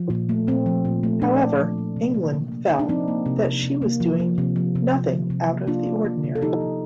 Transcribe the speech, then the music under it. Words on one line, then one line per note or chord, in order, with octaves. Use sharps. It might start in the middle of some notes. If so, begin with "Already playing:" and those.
However, England felt that she was doing "nothing out of the ordinary".
Already playing: F3
A#2
A3
A#2 C4
F3
A#2
A3
A#2 D4
A3
F3
A#2
C3
A#3
C3
A#3
A#3 D#4
D4
F3 C4 D#4
A#3
C3
C3
C3
A#3
F3
F3
C3
F3
C3
C3
F3
C3
A#3
A#3 D4 F4
A#3
A#3
C3
A4
F3 D#4 G4
F3